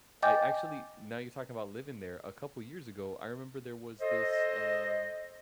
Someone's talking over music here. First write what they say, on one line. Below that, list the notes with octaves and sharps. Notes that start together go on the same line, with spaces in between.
I actually now you're talking about living there, a couple years ago, I remember there was this, um
D#5 G5 G#5 D6 G6 A6
A4 C5 D#5